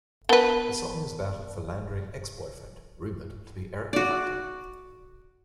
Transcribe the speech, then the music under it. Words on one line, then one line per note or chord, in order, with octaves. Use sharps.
The song is about a philandering ex-boyfriend, rumoured to be Eric Clapton.
B3 A#4 B4 A5 G7
F#4 D5